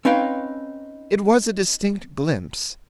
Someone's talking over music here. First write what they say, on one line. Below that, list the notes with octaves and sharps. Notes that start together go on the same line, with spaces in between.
It was a distinct glimpse.
C4 C#4 D#4 B4 F5 G5